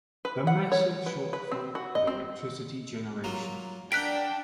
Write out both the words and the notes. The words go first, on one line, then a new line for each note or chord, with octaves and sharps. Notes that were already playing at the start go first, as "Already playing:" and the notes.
The massive shortfall of electricity generation.
B4
F#5
C#5
B4
B4
C4
F#4
D#5
C4
F#3 A#3 F4
D4 A#4 F#5 G5 F#6 B6 D7